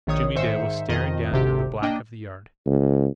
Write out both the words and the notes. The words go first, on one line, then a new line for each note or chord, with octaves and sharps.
Jimmie Dale was staring down into the black of the yard.
A#1 D#3 C#5 D#6
G#2 D#3 C5 E5 C#7
F2 D#3 D#5
G#1 D2 C3 G4
A#3 D4 D#5 G5
C#2